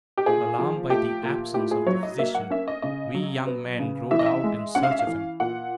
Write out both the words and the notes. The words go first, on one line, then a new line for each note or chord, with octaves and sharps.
Alarmed by the absence of the physician, we young men rode out in search of him.
G4
A#2 G#4
F3
A3 G4
A#2
A2 G4
G#4
F#3 C#5
D#5
A#3 E5
F#5
C#4 E5
D#5
C#3 D#5
F#3
B3
C#3
E3 E5
D#5
E5
G#3
C#4 F#5
F5
E5
F5
E3
A#2 F#5